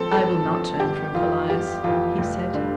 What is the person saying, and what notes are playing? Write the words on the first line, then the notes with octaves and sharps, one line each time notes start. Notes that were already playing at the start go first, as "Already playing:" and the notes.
"I will not turn from Callias," he said.
Already playing: F3 C4 A4
G2 A4
F3 C4
G1 G4
F2 E3 F4
G1 G4
F2 E3 F4
F1
D3 G3